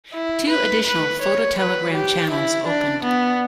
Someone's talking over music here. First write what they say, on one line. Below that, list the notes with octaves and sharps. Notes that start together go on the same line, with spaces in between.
Two additional phototelegram channels opened.
E4
B4
B4
C#5
B4
G4
E4
D4
B3